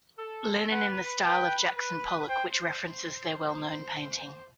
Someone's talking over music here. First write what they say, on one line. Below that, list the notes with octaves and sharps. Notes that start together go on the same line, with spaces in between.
Lenin in the Style of Jackson Pollock which references their well-known painting.
A4
B4 F#5
B4 G5
B4
C5 G5
C5